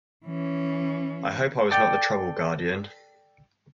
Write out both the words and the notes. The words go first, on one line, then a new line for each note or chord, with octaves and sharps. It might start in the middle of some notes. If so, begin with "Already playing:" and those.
I hope I was not the trouble, guardian?
E3 C#4
A4 D5 G5